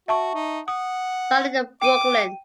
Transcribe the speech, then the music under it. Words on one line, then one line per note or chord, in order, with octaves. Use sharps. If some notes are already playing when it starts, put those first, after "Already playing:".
Saw it in Brooklyn.
F#4 E5 A5 C#6
D#4
F#5 D#6
G5 D6 D#7